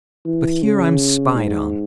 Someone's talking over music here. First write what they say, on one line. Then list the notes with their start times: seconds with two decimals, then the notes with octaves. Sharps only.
But here I'm spied on.
0.25 E3
0.62 C#3
1.35 G#2